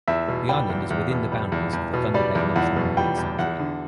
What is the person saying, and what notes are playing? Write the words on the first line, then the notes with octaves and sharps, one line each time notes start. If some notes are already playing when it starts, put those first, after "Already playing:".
The island is within the boundaries of the Thunder Bay National Marine Sanctuary.
E2 E5
B2
G3 G5
E2
E2
B2
G3
E2
E2
B2
G3 D5
E2
E2 F#5
B2
G3 G5
E2
E2 F#5
D3